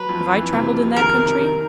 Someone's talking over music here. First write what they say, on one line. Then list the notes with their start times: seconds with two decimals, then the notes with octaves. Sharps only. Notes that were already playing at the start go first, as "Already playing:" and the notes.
Have I travelled in that country?
Already playing: F#3 B4
0.09 F2
0.31 E3
0.53 C3
0.74 F2
0.96 D#3 A#4
1.18 C3
1.41 D#3